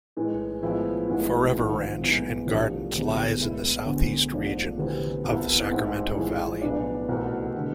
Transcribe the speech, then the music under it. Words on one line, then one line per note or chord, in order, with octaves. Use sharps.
Forever Ranch and Gardens lies in the southeast region of the Sacramento Valley.
A2 E3 G#3
A2 F3 G#3 B3 E4
A1 A2 G#3 B3 E4
G#1 G#2 F3
B1 A2 G#3 B3
C2 C3 F3 A3 D4
E1 D2 C3 E3 G#3
A2 G#3 B3 E4
E1 D2 D3
G#2 F3 A3 D4
D2 C3 E3 B3
C2 C3 E3 B3 E4
A1 G#2 G#3 C4 E4
A2 F3 G#3
B1 A2 E3 B3 D4
C2 B2 A3 C4
D3 G#3 B3